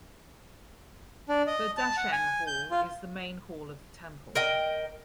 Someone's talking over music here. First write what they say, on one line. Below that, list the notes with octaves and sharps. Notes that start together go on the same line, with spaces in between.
The Dacheng Hall is the main hall of the temple.
D4
D#5
A5
F#5
G#5
G6
F4
A#4 D#5 G5